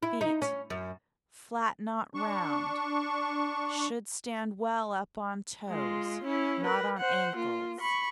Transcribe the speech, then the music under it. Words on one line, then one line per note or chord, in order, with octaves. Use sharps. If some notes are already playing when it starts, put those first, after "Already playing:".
FEET--Flat, not round; should stand well up on toes, not on ankles.
E4
D#4
C#4
F#2
D4 C#6
G#3 F4
C#4 E4
A#4 B4
C5 F#5
A#3 F4
B5 C#6